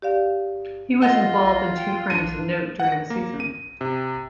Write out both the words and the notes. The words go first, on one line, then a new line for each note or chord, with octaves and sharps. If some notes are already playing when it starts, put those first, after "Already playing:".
He was involved in two frames of note during the season.
G4 D5 F5
F4 D#5 F#5
G5
D4 D#7
F#5
A#6
A#3
D#7
C3